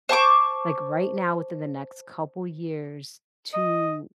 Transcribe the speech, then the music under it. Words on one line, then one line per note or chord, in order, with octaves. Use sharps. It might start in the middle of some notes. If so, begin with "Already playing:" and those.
like, right now within the next couple years, to
C5 A5 C#6 D6
D#5